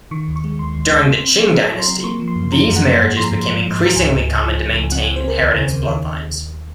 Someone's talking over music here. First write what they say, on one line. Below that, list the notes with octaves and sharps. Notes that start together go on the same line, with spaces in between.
During the Qing dynasty, these marriages became increasingly common to maintain inheritance bloodlines.
D#3 C#6
D#2
C#6
G#3
D#2 C6
D#2
D#2
C4
C4
F#3
F#3 A#5
F#3
C6
C4
A#3 C#6
F3
C6
F#2
F3 A#5
F#2
F#5
A#3
G#2 G#5
F3 C6
A#5
G#2
G#2
G#2
G#2
A#5
C#2 G#5
C#2
C#2
F3
C#2
C#2
C4 F#5
G#5
C4
C5
C4 A#4
D#2
C#3
D#2
D#3